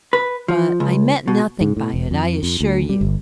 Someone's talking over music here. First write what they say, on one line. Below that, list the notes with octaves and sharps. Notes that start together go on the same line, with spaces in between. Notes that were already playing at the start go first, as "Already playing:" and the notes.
But I meant nothing by it, I assure you.
B4
F3
C#2
B2
G#2
A2
E1
F2
F2
D2
G3
G1